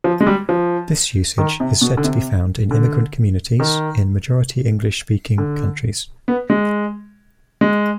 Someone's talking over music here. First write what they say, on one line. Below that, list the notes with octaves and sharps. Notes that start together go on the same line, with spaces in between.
This usage is said to be found in immigrant communities in majority-English-speaking countries.
F3
G#3
G3
F3
D#3
C3
B2
D3
C3
D3
D#3
D3
B3
G#3
G#3